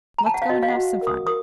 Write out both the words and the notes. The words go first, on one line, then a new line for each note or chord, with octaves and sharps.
Let's go and have some fun.
A#5
A5
F#5
F5
F#4 D#5
F5
F#5
F#4
A#4
D#6
A#4 D#6